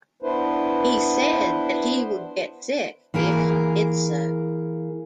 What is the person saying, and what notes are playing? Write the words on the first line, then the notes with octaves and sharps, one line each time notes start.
He said that he would get sick if he did so.
B3 D4 E4 B4 C5
E3 A#3 G#4 A#4